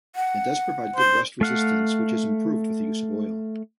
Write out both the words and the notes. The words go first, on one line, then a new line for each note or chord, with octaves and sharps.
It does provide good rust resistance which is improved with the use of oil.
F#5
C5
A3 F5 F#5